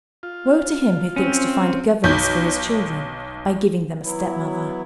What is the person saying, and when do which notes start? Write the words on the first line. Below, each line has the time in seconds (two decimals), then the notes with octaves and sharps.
Woe to him who thinks to find a governess for his children by giving them a stepmother!
0.23 F4
1.16 C4 C#4
2.04 B1 G6
4.03 F#3 B3 E4